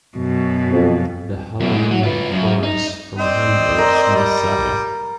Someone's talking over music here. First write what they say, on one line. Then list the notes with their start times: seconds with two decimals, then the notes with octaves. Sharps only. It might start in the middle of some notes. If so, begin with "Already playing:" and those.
The Hallelujah Chorus from Handel's Messiah.
0.17 F#2 B2
0.71 F2
1.60 F#2 B2
1.74 G#2
1.91 F#3
2.03 F4 B4
2.32 F#2
2.63 D#4
3.18 C4 D5 D#5
3.78 A#4
4.15 G3